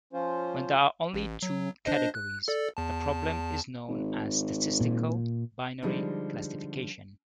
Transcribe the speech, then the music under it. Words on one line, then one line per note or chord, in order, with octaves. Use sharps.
When there are only two categories the problem is known as statistical binary classification.
F3 C#4 F4 C5
A1
F#3
D4 C5 D#5
F#6
A4 D5
E2 A5
G#1
A#2
D3 F3 G3 G#3 D#4